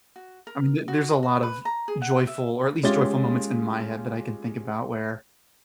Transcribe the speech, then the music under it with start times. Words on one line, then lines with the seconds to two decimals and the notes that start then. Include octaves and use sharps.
I mean th there's a lot of joyful or at least joyful moments in my head that I can think about where,
0.16 F#4
0.47 A#4
0.88 F#4
1.23 F#4
1.43 B4
1.65 A#5
1.88 G#4
2.02 F#5
2.27 E5
2.83 G#3 C#4 F4 G4 A6 G7